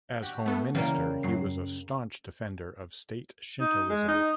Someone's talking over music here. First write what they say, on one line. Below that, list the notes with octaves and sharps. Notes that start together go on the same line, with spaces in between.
As Home Minister, he was a staunch defender of State Shintoism.
F#4 G4
A3 B3 A4
C#3 E3 G3 A#3
F#2 F#3 C7
D#4
G#3
D#4